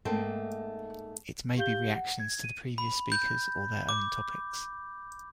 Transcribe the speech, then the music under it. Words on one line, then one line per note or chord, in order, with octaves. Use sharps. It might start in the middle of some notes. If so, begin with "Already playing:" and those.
It may be reactions to the previous speakers or their own topics.
G#2 A3 A#3 C4 A4 C5
G4 F5 G6 G7
F#5
G#6
D#7
B5
G6
D6